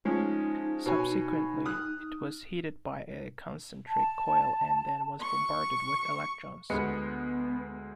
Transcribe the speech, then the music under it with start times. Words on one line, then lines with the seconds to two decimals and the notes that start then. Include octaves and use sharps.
Subsequently it was heated by a concentric coil and then was bombarded with electrons.
0.05 F3 G#3 C#4 D#4
0.86 B2 C#5 G#5
1.66 D#6 F6 F#6
3.87 A5
5.21 C#6
6.70 D2 G#3 B3 C#7